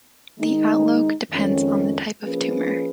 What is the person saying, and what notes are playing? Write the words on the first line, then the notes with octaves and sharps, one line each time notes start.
The outlook depends on the type of tumor.
D#3 G#3 D#4
F2 D#3 G#3 C#4
F3 A#3 C#4 G#4 B4